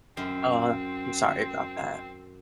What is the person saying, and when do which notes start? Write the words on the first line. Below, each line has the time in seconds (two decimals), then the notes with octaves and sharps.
Uh, I'm sorry about that.
0.17 F#2 C4